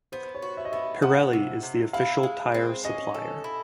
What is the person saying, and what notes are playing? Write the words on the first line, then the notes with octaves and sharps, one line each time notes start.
Pirelli is the official tyre supplier.
B3 C5
C#5
F#4
E5
D#5
B3 E5
F3 F#5
C3
C3
E4 F5
G#3
C4
C#4 D#5
A4
E4